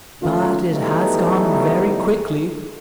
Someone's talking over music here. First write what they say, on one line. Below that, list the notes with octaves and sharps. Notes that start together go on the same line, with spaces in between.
"But it has gone very quickly."
D#3 A3 C#4 F4
E3 F#3 G3 A3 B3 D#4